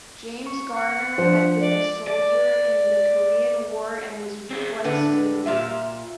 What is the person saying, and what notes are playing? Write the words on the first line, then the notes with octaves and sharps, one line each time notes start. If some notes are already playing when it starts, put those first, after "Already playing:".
James Garner had been a soldier in the Korean War and was twice wounded.
C#6
F#5
F3 D4 C5
D5
D5
C4 G#4
A2 D3 B4 F#5
A#2 F4 E5